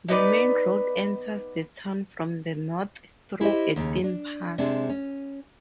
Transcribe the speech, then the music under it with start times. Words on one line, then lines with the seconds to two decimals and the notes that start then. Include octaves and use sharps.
The main road enters the town from the north through a thin pass.
0.08 B3 D#4 B4 D5
3.41 E4 G4 C5 D#5
3.76 D#2 C#3
4.04 D4
4.58 C3 G#3 C4 D4
4.89 C#4